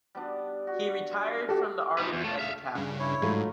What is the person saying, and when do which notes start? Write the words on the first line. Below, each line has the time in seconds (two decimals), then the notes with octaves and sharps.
He retired from the army as a Captain.
0.15 G3 B3 D4
0.67 F#4
1.49 F#4 G4 A4 D5 D#5
1.99 D#4 B4
2.13 E2
2.24 A3 F4
2.39 E5 F5
2.75 G2 C#3
3.00 E4 C#5
3.22 G#2 F#3 A3 F4